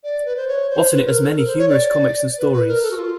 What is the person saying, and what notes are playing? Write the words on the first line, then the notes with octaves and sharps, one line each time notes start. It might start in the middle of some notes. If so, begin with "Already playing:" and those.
Often it has many humorous comics and stories.
D5
B4
C5
C#5
C5
B4
A#4
A4
A#4
C5
C#5
D5
B4
B4
A#4
A4
F#4
F4